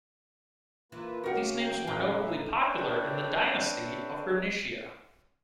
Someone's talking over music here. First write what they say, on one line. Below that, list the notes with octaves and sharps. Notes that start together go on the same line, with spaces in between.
These names were notably popular in the dynasty of Bernicia.
E3 A#3 F4 B4
C#3 D#4 F#4 G4 A#4 F#5
G5
A2 C#3 C#4 D#4 E4 E5 F5
C4 D4 B4 C#5 D5 E5